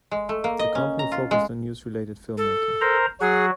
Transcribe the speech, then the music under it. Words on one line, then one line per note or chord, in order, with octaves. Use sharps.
The company focussed on news-related filmmaking.
G#3
A3
A#3
D#5
C#4
A#5
F4
G#3
A4
A#4 C5 A#5
F#3 F#4 G#4